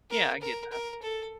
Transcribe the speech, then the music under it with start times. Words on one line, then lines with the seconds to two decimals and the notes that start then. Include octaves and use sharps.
Yeah, I get that.
0.10 A#4
0.41 A#4
0.72 A#4
1.02 A4